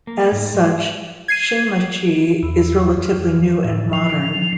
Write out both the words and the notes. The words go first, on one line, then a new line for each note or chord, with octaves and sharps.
As such, Shinmachi is relatively new and modern.
A#3
G#2
G#3
G#6 C7 D#7
E2
F2
A2
F3